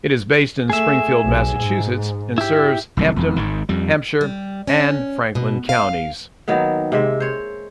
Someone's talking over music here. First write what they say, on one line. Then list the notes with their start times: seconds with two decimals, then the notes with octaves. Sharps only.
It is based in Springfield, Massachusetts and serves Hampden, Hampshire, and Franklin counties.
0.70 A3 G#4 E5
1.24 B1
1.58 G#2
2.38 E4 G4
2.97 F#1 C2 A2
3.16 E1 F2
3.36 G#1 G#2 D#3
3.69 F2 G3
4.21 G3
4.67 C#4
5.35 B2
5.69 F5
6.48 D#3 F#3 A#3 B3
6.92 C3 G#3 E5
7.20 C5 C#5